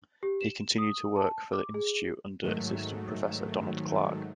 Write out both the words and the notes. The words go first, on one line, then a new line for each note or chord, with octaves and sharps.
He continued to work for the Institute under Assistant Professor Donald Clark.
G4
E7
D#6
A5
D6
G#4
G#2 D#3 F#3 A3